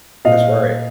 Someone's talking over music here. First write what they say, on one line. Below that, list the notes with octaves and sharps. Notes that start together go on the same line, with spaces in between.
That's right.
A#2 D#5 F5